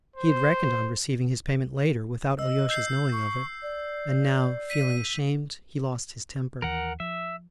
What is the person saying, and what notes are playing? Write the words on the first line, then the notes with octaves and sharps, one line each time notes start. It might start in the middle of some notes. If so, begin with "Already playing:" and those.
He had reckoned on receiving his payment later, without Alyosha's knowing of it, and now, feeling ashamed, he lost his temper.
C5
D#5 E6
E6 G6 C7
C#6
D5
B6 D#7
D#2 E3 A#4 F#5
F3 E5